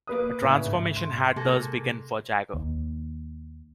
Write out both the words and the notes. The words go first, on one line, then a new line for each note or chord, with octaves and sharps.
A transformation had thus begun for Jagger.
A#3 B4 D#6
A2 C#3 E5
G#2
C6
C3 G#3 A#3 A4
D#2